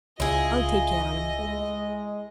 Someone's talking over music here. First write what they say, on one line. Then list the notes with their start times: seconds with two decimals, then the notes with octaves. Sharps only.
I'll take care on him.
0.20 C#2 E4 F4 G#4 D#5
1.40 G#3